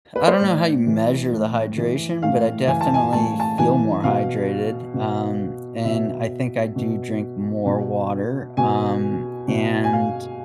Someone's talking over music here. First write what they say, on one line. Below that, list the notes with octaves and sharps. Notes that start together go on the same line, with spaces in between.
I don't know how you measure the hydration, but I definitely feel more hydrated, um, and I think I do drink more water, um, and
B4
C5
A2 D5
E3
A2
E3
A2 F5
E3 G#5
A5
G#5
A2 A5
A5
E3 G#5
B2 F5
B2
B2 E5
B2
B2
B2 G#5
B2
G#5
F5